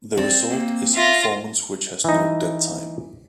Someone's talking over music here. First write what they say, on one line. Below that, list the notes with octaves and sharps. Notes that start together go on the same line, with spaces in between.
The result is a performance which has no "dead time".
C4 D5
A#3
F4 E5 A#6
E3 D#4